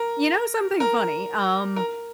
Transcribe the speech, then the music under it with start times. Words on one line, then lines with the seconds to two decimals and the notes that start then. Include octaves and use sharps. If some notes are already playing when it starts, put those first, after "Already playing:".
You know something funny, um,
Already playing: A#4
0.80 A#4
1.76 A#4